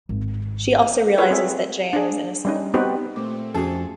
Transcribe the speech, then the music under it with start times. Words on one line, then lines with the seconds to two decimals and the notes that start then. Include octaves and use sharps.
She also realizes that Jayan is innocent.
0.09 G#1
1.18 F4 A4 B4 C#5 E5
1.31 C4 G#4 E5
1.93 D4 G#4
2.45 G3 C#4 D#4
2.74 B3 C4 D#4 F#4 G4 B4
3.16 A#2 A3 C4 D6
3.54 F2 C#4 F#4 G#4 A4